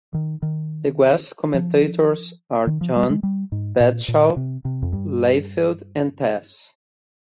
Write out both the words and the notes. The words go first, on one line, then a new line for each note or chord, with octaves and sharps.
The guest commentators are John "Bradshaw" Layfield and Tazz.
D#3
D#3
F3
D#3
F3
G3
G#3
G3
G#2
A#2
A#2
C3
C3
F2
G2